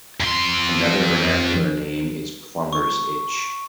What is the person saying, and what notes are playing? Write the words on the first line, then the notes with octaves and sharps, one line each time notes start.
Another vernacular name is plumber's itch.
F2 C6
C#6